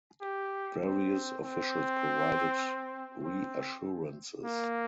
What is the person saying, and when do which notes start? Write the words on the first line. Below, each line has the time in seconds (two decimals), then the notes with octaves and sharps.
Various officials provided reassurances.
0.21 G4
0.83 C4
1.42 C4
3.23 C4
4.44 A#3